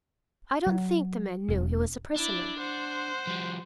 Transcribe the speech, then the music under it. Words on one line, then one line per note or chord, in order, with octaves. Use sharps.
I don't think the man knew he was a prisoner.
F#3
E1
D4 E4 D5
C5 F#5
F3 G3